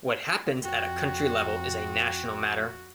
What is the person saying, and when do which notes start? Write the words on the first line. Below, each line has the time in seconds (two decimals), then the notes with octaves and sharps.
What happens at a country level is a National Matter.
0.63 F2 F#4 G5